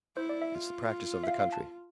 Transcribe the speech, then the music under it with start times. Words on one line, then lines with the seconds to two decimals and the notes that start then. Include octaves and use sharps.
It's the practice of the country.
0.17 E4 C5
0.29 D5
0.42 E5
0.54 F4
1.24 E5
1.28 F5
1.40 F5
1.53 A5